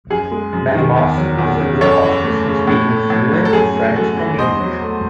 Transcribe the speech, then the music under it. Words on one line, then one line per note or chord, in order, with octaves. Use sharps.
Mary Moss was a good hostess, speaking fluent French and English.
F#2 G#4
G#3
F#2
D#3
E2
F#3
E2
C#3
F#2 A4 C#5
E3
A3
C#3
A2
A3
A2
F#3
A4
F#2 G#4
A3
F#2 F#4 A4
E3
E2 C5 D#5
F#3
A3